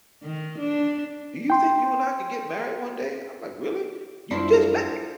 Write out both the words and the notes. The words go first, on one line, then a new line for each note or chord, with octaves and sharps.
"Do you think you and I can get married one day?" I'm like, "Really? You just met me.
D#3
D4
G5 C6
F#2 F3 G3 D4 E4 F4 C6